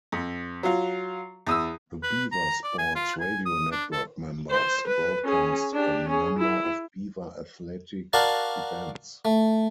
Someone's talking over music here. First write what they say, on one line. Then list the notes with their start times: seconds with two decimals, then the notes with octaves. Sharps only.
The Beaver Sports Radio Network members broadcast a number of Beaver athletic events.
0.12 F2
0.63 F#3 F4
1.47 E2 D#6 E6
2.03 B4
2.32 A#5
2.64 D5
2.78 G#5
2.95 F4
3.20 G#5
3.46 D#6
3.72 D4
3.92 A4
4.51 C5
4.87 B4
5.25 C#4 G#4
5.74 D4 G4
6.09 C#4 G#4
6.38 E4
8.13 F#4 A#4 D5 F5 A5
9.25 A3